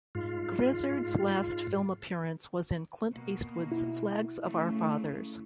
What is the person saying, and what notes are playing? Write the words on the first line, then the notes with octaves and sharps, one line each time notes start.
Grizzard's last film appearance was in Clint Eastwood's "Flags of Our Fathers".
G#2 F4
B2 A#3
E4
C#3 A3